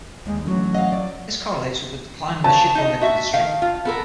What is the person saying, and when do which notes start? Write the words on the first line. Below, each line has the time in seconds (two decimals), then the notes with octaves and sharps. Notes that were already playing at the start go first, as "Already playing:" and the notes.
This correlates with the decline of the shipbuilding industry.
0.26 D#2 G#3
0.45 A1 D3 F#3
0.75 D#5 F5 F#5
0.92 D5
2.44 C#3 A5
2.75 D#4 D#5
3.01 F#4 E5
3.34 D#3 F5
3.62 F4
3.85 B3 A4 A#4